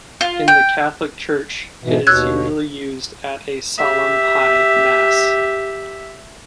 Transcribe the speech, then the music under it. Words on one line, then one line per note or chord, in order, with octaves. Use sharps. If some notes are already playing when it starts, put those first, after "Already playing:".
In the Catholic Church, it is usually used at a Solemn High Mass.
F4
G5
G#2 B2 E3
D#2 B2 C#5 E6 F#6 G#6
G4 E5